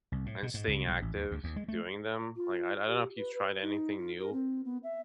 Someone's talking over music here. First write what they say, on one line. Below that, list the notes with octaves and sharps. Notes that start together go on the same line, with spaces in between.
and staying active doing them. Like, I d I don't know if you've tried anything new,
C2
A2
B2
G#2
C#2
B1
A1
D#2
D2
D#2
G#3
A3
F4
G4
B4
B4
D#4
F4
A#4
C4
B3
E5